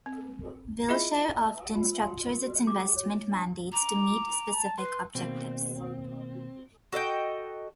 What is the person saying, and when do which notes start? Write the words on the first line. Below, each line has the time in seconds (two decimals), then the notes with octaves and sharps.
Wilshire often structures its investment mandates to meet specific objectives.
0.06 C4
0.88 E4 F4 G#4 D#5 E5 B5
1.75 F4
2.00 C6
2.29 A#4
2.44 F#4
2.67 D6
2.96 C#5
3.32 D4
3.72 A#5 D6
4.54 A5
4.78 B4 C6
5.15 B2 D#3 A#3 C4
6.92 F#4 A4 D#5 G5